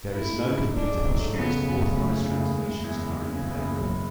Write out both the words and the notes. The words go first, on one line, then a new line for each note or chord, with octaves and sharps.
There is no complete official list of authorised translations currently available.
A3 E4
G#2
G#2
G#2
G#2 D4
G#2
F#3
A3
C#3 B3
C#3
C#3
F#1
F#1 A3
E2
C#3
F#1
F#1 G#3
F#1
E2
F#1
F#1
C#3
F#1
F#1
E1 F#3